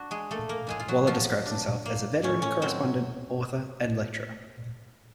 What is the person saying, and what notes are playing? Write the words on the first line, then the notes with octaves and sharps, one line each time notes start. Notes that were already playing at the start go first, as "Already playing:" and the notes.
Waller describes himself as a veteran correspondent, author and lecturer.
Already playing: D4 F#4
G#3 G#4
A3 A#3 A4
A#3 A#4
A2 G#3 G#4
F4
F#3 F#4
F3 F#3 F4
D4
A#3
A2 C#4 C#5
C#4 C#5
F#3 C4